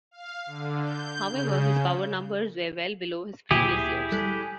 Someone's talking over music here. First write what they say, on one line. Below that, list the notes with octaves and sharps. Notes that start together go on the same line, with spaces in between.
However, his power numbers were well below his previous years.
F5
D3
G6
C#3
D2 A#2 E4 G4 G#4 E5
G3 A4 F#6